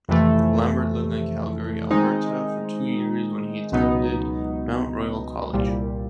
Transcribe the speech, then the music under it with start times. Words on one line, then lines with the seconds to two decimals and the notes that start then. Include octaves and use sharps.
Lambert lived in Calgary, Alberta for two years, where he attended Mount Royal College.
0.09 F2 C3 E3 A3
1.90 D#3 G#3 C4 D#4
3.72 C#2 B2 F#3 B3 D#4
5.53 C2 A#2 G3